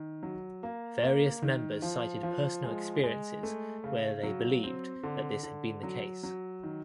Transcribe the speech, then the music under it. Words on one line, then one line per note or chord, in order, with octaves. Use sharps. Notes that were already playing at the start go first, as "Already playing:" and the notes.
Various members cited personal experiences where they believed that this had been the case.
Already playing: D#3
F#3
A#3
A#3
D#3
F3
F3
G#3
G#3
A3
C#3
F#3
C4
D3
D3
F#3
F#3
D#3